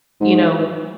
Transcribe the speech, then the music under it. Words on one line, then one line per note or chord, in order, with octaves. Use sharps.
you know
G#2